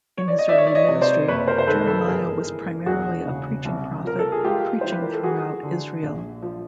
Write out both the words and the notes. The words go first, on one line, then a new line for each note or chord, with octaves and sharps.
In his early ministry, Jeremiah was primarily a preaching prophet, preaching throughout Israel.
C#5
D5
D#5
F3 D5 E5
C#5
D5
C#5 D#5
C3
C5 D5
F#1 B4 C#5
A#4 C5
C5
D#3 A4 B4
A4 B4
A4
G1 G#4 A#4
E3
E1 F#4 G#4
C#3
C2
F3 A#4
A4
G#4
G#3 F4 G4
E3 C5
B4
A#4
A4
F#3 F#4 G#4
D3
A#1
F3